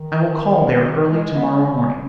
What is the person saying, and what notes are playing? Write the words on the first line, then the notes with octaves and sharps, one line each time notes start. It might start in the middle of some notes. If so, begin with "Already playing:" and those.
I will call there early to-morrow morning.'
Already playing: D#3
G#3
B3
C#4
C#4